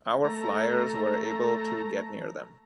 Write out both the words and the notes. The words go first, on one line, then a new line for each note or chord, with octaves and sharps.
Our flyers were able to get near them.
A3 A#5